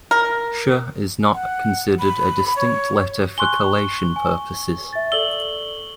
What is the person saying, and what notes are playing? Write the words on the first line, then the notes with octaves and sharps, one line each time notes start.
"Sh" is not considered a distinct letter for collation purposes.
A#4
F#5
B5
C#5
G#5 C6 C#6 F#6 G7
G#5
E5 A6
A4 D5 E6 F#7 G7